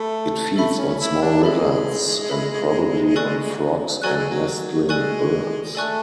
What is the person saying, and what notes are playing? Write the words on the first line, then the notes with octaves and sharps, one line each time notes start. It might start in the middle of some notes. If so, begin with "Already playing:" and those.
It feeds on small lizards and probably on frogs and nestling birds.
Already playing: A3 A4 E5 B5
A3 A4 E5 B5
C#4
E4
D4
G#3 A4 E5 B5
A4 E5 B5
A4 D5 G#5 C#6 F#6
F#3 A4 D5 G#5 C#6 F#6
G#3
F#3
G#3 A4 D5 G#5 C#6 F#6
A3 A4 D5 G#5 C#6 F#6